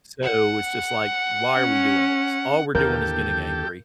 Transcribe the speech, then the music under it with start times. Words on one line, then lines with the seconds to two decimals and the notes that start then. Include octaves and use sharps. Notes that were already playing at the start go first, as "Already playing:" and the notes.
So, it's just like, "Why are we doing this?" All we're doing is getting angry.
0.22 F#5
1.57 C#4
2.75 D#2 D3 E3 G4 A4 A#4 G6